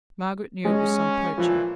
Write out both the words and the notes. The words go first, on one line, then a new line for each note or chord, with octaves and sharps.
Margaret knew it was some poacher.
G#3 C#4
A#2 E3 F3